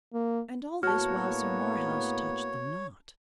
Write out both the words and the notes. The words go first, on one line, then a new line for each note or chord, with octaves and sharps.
And all this while Sir Marhaus touched them not.
A#3
A2 A#3 B3 F#4 C#5 A5 F6